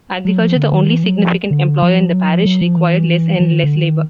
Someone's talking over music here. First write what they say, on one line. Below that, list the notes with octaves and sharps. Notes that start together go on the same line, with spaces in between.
Agriculture, the only significant employer in the parish, required less and less labour.
F#3
F3
D3
D#3
E3
F#3
F3
D3
F3
F#3
F3
F#3
F3
E3
E3
D#3
D3
D#3